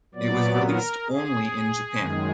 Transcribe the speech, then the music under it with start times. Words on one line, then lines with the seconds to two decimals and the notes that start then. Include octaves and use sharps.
It was released only in Japan.
0.15 A#2 F#3 B3 D5
0.60 A#4
1.07 G#4
1.98 F#2 D#3 G#3